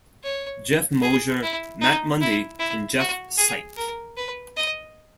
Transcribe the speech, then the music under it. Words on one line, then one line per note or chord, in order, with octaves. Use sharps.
Jeff Mosier, Matt Mundy and Jeff Sipe.
C#5
G#4
E4
D#4
E4
E4
F#4
G#4
A#4
B4
D#5